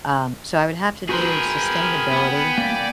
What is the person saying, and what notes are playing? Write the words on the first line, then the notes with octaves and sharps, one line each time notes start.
Um, so I would have to do sustainability
F#4 G#4 A#4 B4 G5 G#5 B5 C6
B3
A#3 D5